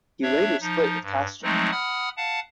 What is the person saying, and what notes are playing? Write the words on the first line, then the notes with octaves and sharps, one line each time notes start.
He later split with Castro.
D4 C#5 E5
F3 D#4
G2
F3 F#3 G#3 A3 C4 D#4
F#5 B5 D#6 F6
F5 F#5 A5